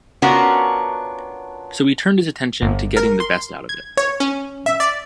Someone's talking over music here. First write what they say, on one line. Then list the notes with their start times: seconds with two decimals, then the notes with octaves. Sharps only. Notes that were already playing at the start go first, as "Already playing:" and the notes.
So he turned his attention to getting the best out of it..
0.22 B3 C#4 D4 F4 F#4 A#4
2.61 G1
2.97 A#4
3.20 C6
3.69 G#6
3.97 C#5
4.20 C#4
4.66 E5
4.80 D5